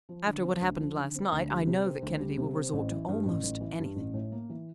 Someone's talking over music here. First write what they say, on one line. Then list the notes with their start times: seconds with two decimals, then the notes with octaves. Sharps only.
"After what happened last night I know that Kennedy will resort to almost anything."
0.09 F3
0.27 D3
0.44 C4
0.62 D2
0.79 F3
0.97 D3
1.15 C4
1.32 D2
1.50 G3
1.67 C3
1.85 C4
2.02 D2
2.20 G3
2.37 C3
2.55 C4
2.73 A1
2.91 E3
3.08 G2
3.25 A1
3.43 A1
3.61 E3
3.79 G2
3.96 A1
4.14 A2
4.32 A#3
4.50 E3